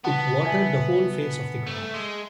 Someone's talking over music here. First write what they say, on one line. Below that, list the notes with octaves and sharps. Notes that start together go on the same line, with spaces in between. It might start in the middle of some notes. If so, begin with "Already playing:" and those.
It watered the whole face of the ground.
B3 F#5 A5
E5 G#5
A3
G#3